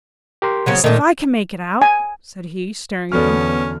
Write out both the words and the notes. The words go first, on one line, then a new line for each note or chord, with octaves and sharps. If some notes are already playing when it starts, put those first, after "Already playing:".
'Blest if I can make it out!' said he, staring at them.
G4 A#4 C6
C#3 F#3 C#4
A#2 D#3 A3
G#5
E2 D3 B3 C#4 F#4 A4 D5 F6